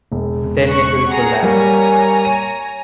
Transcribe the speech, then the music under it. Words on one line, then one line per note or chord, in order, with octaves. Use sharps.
Then it will collapse.
E1
C#6 F#6
G#4 F#5 A#5
G3 A#3 C#5 G#5 A#5
D#7